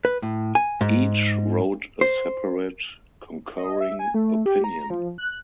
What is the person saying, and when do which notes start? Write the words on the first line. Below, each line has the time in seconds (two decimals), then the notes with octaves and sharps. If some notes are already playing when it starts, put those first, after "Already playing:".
Each wrote a separate concurring opinion.
0.05 B4
0.22 A2
0.55 G#5
0.81 G#2
2.01 C5
3.57 D#5
3.81 E5
3.99 G#5
4.14 A3
4.46 G4
4.64 A#5
4.90 F3
5.18 F#6